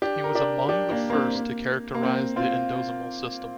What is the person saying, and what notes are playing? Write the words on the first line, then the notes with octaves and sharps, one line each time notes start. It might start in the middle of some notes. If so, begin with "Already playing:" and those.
He was among the first to characterize the endosomal system.
D4 G4
A#4
D4 G4
D4 G4
A#3 D4
A#3
C4
A#3
A#3
C4
C4 F4